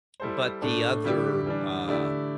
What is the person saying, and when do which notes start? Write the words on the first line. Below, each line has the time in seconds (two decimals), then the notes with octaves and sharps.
but the other, uh
0.20 G3 E4 A4 C5
0.62 A2 A3 D4 A4
1.04 D3 G3 E4 G4 D5
1.46 E3 G3 D4
1.88 D3 A3 E4 G4 D5